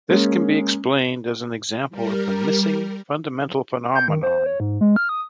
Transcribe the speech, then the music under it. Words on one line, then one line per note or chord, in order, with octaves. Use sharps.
This can be explained as an example of the missing fundamental phenomenon.
G#3 A#3 C#4
G3 A#4
G6
D#3
C5
C#5
G#2
G#3
F6
D#6